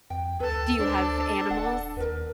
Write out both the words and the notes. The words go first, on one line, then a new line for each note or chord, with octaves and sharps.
Do you have animals?
F2 G5
D2 A4 B4 A5
D2 D4 C5
D#1 F#5
D#2 A#4 B4